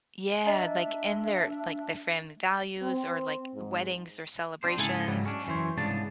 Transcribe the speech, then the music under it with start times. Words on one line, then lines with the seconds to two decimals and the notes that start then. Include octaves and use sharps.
Yeah, like, in their like, their family values or, like, weddings or celebrations.
0.46 D4 D#5 E5 A#5
2.82 C4
3.54 G#2
4.63 C4 D4 C5
4.77 G#2 C#3 B3 E4 A4 G#5
5.07 G#2 C#3 F#3 G3
5.26 C#4 D4
5.47 F#2 E3 C5 C#5
5.77 C2 G#2 C#3 B3 D4 A5